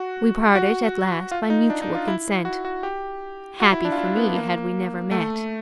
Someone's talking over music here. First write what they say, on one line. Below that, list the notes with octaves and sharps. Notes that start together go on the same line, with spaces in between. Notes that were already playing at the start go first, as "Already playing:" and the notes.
We parted at last by mutual consent--happy for me had we never met!
Already playing: F#4
F#4
F4
D#4
D4
D#4
F4
E4
F#4
F#4
G4
F#4
E4
D4
F4
E4
B3
A#3
A3